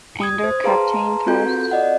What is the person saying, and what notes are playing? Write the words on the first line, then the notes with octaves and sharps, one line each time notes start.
Under Captain Thos.
D#6 G#6
C5
G#4 B4 F5 A5 A#5 C6
C4 F4 F#4 A4 G6
D5 D#5 F#5